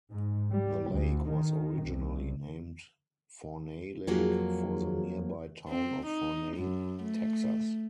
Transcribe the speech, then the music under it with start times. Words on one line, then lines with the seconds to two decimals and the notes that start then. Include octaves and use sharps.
The lake was originally named Forney Lake for the nearby town of Forney, Texas.
0.10 G#2
0.50 G3
0.91 D2
1.29 D#3
1.83 C2
4.07 F2 F#3 A#3 F4 F#4 G#4
5.69 C4
6.06 D#4
6.57 F#2
7.03 A3